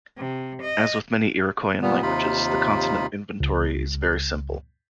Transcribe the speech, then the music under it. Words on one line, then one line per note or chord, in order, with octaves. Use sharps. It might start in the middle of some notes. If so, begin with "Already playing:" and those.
As with many Iroquoian languages, the consonant inventory is very simple.
C3
D#5
A#2 G3 B3
D#2 C3 D#4 F4 B5
C#2